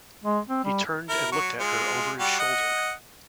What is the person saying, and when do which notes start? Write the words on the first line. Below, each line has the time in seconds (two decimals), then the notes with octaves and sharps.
He turned and looked at her over his shoulder.
0.24 G#3
0.49 C4
0.64 G3
1.09 E4 A#4
1.32 F#3 C#6
1.60 G#3 F4
2.19 G3 F#4 G4
2.39 D#5 F#5